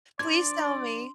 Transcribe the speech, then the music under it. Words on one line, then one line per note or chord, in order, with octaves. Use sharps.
Please tell me.
F3 D4 D5 C6 G#6